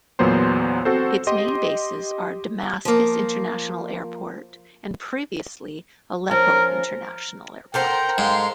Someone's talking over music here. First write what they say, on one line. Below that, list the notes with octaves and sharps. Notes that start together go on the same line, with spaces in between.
Its main bases are Damascus International Airport and previously Aleppo International Airport.
E2 A#2 F#3 B3 C5 C6
C4 F#4 A4 C5
G4 D#5 C6
F3 A#3
F3 C#4 F4 A#4
A4 A#4 C5 F#5 G5 A#5
G#2 F5 C6